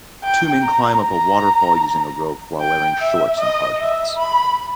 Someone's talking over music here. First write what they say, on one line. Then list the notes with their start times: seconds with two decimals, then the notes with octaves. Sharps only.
Two men climb up a waterfall using a rope while wearing shorts and hard hats.
0.24 G5
0.63 A#5
1.03 A#5
2.60 G5
3.00 E5
3.39 D#5
3.79 E5
4.18 B5